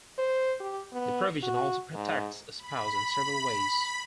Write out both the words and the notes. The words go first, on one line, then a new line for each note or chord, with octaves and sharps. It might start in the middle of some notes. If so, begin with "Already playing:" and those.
The provision also protects a spouse in several ways.
C5
G4
B3
F#4
G#2
B5
B5